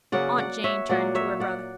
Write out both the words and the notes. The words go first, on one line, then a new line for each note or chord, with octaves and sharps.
Aunt Jane turned to her brother.
C#3 F#3 A#3 C#4 D5 F#5
D5 F#5
C#5 E5
A#2 F#3 A#3 D5 F#5
C#5 E5
D5 F#5